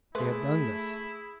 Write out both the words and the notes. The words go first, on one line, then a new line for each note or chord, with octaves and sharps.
He had done this.
A3 E4 G#4 B4 C5